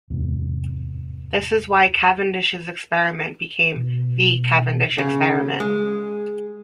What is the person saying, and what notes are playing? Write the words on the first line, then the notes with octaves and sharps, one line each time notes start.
This is why Cavendish's experiment became "the" Cavendish experiment.
D1 E2 G#2 C3
B2
C#3
G#3